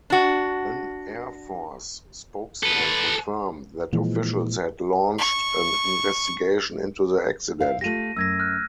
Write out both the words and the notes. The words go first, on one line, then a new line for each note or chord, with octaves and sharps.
An air force spokesman confirmed that officials had launched an investigation into the accident.
D4 F#4
A4 B4
A#2 E3 F3 G#3
C#6
E4 C5 F5
A3 F4 G4 A#6 D#7
F#2 E6 G#6 A#6
F6 F#6